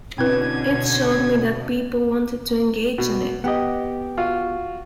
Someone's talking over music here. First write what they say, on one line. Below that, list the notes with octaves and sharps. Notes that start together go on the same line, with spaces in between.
It showed me that people wanted to engage in it.
B2 D3 C4 C#4 E4 B4 G#6
B2
B3 G4 D#5 F#5
F4 F#4 F5